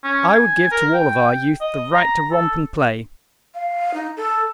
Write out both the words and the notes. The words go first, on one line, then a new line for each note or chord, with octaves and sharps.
I would give to all of our youth the right to romp and play.
C#4
G#5
A#4
G5
D#5
A#5
A4
F5
D#4
A4